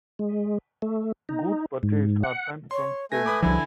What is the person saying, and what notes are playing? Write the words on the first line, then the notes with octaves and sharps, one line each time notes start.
Goods purchased are sent from Spain.
G#3
A3
D#4
G#2
F#5
C#5 C6
A3 B4 G#5 A#6
B4 B5 D6 D#6
C2 D3 F3 E4 B4 G#5